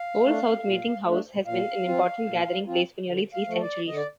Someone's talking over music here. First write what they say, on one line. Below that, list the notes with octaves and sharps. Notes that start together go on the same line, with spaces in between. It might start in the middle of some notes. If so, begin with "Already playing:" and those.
Old South Meeting House has been an important gathering place for nearly three centuries.
Already playing: F5
A3 D4
A#2
A3 D4
A#2 F5
F3 C4 F4
A#2
F3 C4 F4
D3
F5
F3 A3
D5
D3 D#5
D5